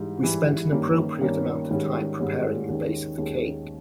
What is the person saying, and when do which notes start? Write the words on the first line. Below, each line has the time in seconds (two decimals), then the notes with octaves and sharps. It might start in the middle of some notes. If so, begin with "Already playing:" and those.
We spent an appropriate amount of time preparing the base of the cake.
Already playing: G#2 E3 G3
0.23 G#2 E3 G3
0.72 G2 D#3 A#3 C#4
1.21 G2 D#3 A#3 C#4
1.71 G#2 D#3 G3 C#4
2.19 G#2 D#3 G3 C#4
2.68 D#2 D#3 G#3 C#4
3.18 D#2 D#3 G#3 C#4